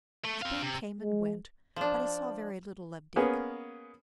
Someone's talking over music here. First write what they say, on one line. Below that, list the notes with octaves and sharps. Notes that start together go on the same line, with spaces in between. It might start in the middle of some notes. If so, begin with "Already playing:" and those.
Spring came and went, but I saw very little of Dick.
A3
C4 F5
C3
G#3
F3 D4
A#3 B3 C#4 G#4